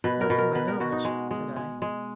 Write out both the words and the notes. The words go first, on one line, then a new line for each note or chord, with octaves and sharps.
"Not to my knowledge!" said I.
B2 B4
A#4
B2
A#4
B2 B4
A#4
B2 F#4
D#4
G#3
G#3
G#3
G#3